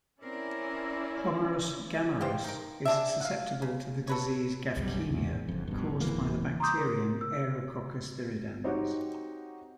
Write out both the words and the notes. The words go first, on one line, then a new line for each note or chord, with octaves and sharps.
"Homarus gammarus" is susceptible to the disease gaffkaemia, caused by the bacterium "Aerococcus viridans".
C4 C#4 E4 A#4 D5
C5 F5 G5
D#4 A#4
G#3 D4 E5
F5 F#5
C#3
A4 B4 C#5
B1 F#2 G3
A#1 E2
F#1 F2
G2 B2
D1 E3 A#3
A#5 C6 D6 D#6 G6
A#4
E6
C4 D#4 F#4 G4 C#5 F#5